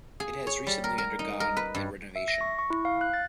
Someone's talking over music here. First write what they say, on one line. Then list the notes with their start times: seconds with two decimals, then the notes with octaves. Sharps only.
It has recently undergone a renovation.
0.20 G#4
0.47 C#5
0.67 G3
0.84 A#4
0.98 A#4
1.19 D#4
1.40 A#4
1.57 B4
1.75 G2
2.16 E5
2.28 A#6
2.41 C#6
2.59 C#6
2.70 E4
2.85 F5
3.01 F#6
3.13 A6